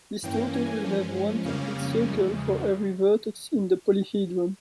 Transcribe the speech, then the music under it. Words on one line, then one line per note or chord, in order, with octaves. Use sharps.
This total will have one complete circle for every vertex in the polyhedron.
G2 E3 A#3 C#4 G5
G#5
G2 F3 G#3 C#4
F2 C#3 G3 A#3 C#4 F5
E2 C#3 F3 G#3